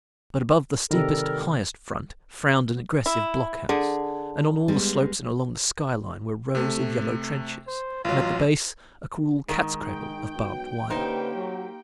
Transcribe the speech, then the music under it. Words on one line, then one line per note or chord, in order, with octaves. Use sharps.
But above the steepest, highest front frowned an aggressive block-house, and on all the slopes and along the sky-line were rows of yellow trenches, and at the base a cruel cat's cradle of barbed wire.
C3 D#3 G3 A4 A#4
E4
D3 G#4
G3 G#3 B3
C3 A3
C5
A1 F#3 F4
G#2 D#3 G#3 D#4
G5
F#2 B3 F#4
D3 A#3 C#4 D#4 G4 B4 C5
F#3